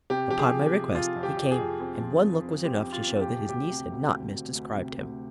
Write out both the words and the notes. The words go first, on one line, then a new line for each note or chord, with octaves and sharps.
Upon my request he came, and one look was enough to show that his niece had not misdescribed him.
C3 G4
F3 G4
G#4
F3
G4
C3
F3 F4
F2
G4
F2
G#4
F2
C4 G#4
F3
C4
C4
C4 G4
C4
F4
C4
G4
C3
D2 G4
C3
D2
D2
D2
D2
C3
D2